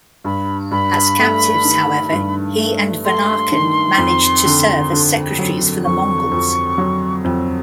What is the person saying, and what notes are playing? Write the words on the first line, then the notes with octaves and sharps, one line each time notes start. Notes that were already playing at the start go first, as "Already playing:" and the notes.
As captives, however, he and Vanakan managed to serve as secretaries for the Mongols.
G2 B5
G2 B5
A3
D#3
G2
A3
A3 C6
D#3
F2
D3
D3
F#3
F2 C#6
F2
F#3
F2